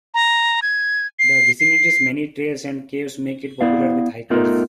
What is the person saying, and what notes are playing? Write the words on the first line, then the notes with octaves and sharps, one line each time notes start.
The vicinity's many trails and caves make it popular with hikers.
A#5
G#6
C7
C7
B3 E4 D5 F5
A3 B3 D#4 F4 A#4